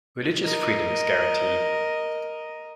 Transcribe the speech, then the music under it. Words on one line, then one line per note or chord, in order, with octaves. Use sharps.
Religious freedom is guaranteed.
A#4 D#5